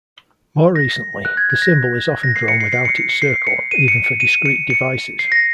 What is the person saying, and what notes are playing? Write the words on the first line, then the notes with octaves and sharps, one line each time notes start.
More recently, the symbol is often drawn without its circle even for discrete devices.
A#6
F#6
G#6
G#6
A#6
A#6
C7
C#7
C7
C7
C#7
C#7
C#7
C7
C#7
D#7
C#7
C#7
D#7
C#7
C#7
C7
A#6